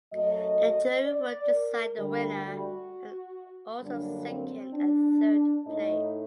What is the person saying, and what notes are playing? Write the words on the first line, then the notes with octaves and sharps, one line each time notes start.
A jury will decide the winner and also second and third place.
F#2 F#3 A3 D#5
D5
A#4
D2 D3 G3
F#4
F#2 D3 G3 A#3 D4
C4
D4
A2 A3 D#4